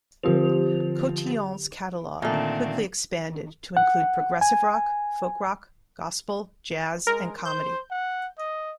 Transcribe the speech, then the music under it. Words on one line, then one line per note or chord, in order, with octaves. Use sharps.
Cotillion's catalog quickly expanded to include progressive rock, folk-rock, gospel, jazz and comedy.
D3 F3 C4 G4 F7
A#2 D3 D#3 A3 C4
F#5
G#5
G#3 A#4
C5 G6
F#5
D#5